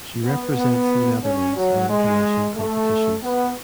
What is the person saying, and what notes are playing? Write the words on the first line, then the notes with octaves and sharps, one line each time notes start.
She represents the Netherlands at international competitions.
B3
B3
C#4
F#3
G#3
A3
B3